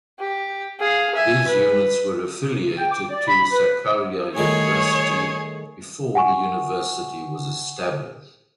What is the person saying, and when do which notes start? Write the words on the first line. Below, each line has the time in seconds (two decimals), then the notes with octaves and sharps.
These units were affiliated to Sakarya University before the university was established.
0.20 G4
0.80 G#4 F5
1.14 E5 G#5
1.47 B4
2.78 G5
2.91 D6
3.09 D5
3.28 B5
3.52 B4
4.37 A2 D#3 G3 G#4 C#5
6.15 F#5 G#5 C#6